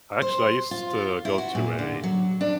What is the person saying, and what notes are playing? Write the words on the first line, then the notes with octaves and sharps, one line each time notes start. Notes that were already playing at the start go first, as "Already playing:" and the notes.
Actually, I used to go to a
C5
F4
E4
F#4
A#2
D3
F#3
D4